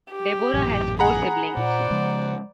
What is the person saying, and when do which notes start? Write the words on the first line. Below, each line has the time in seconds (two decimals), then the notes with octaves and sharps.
Deborah has four siblings.
0.11 G4
0.54 A1 F#2 A#2
0.99 G#4 F#5 A#5 B5
1.57 A#2 C5 D5
1.90 C#3 F3 G#3